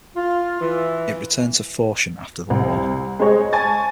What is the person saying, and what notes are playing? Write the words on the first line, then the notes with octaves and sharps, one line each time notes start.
It returned to Foshan after the War.
F4
E3
C2
G#3 G#4 C5 C#5 D#5
G#5 A5 C#6 A6